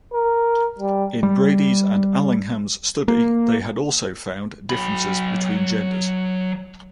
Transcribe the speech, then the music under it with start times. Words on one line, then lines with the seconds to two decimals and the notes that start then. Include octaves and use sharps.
In Brady's and Allingham's study, they had also found differences between genders.
0.13 A#4
0.79 G3
1.23 G3
3.08 A#3
4.70 F#3 B5